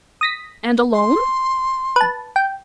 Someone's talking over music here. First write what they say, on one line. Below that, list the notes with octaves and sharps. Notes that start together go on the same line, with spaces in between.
"And alone?"
D#6 A#6 B6
C6
B4 A5
G5